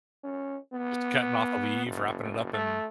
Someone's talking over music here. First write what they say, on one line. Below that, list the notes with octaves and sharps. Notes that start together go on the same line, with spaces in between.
Just cutting off a leaf, wrapping it up in
C#4
B3
F#1
A3